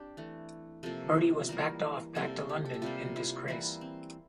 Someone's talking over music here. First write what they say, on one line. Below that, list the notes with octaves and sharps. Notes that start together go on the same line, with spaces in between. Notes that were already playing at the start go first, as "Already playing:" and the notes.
Bertie was packed off back to London in disgrace.
Already playing: C4 D4 G4
E3 A3
C3 F3 A#3 A4
E3 G3 A#3 A#4
C3 G3 A#3 A4
G4
A4
G4
C3 G3 A#3 F4
E4
E3 G3 A#3 E4
C4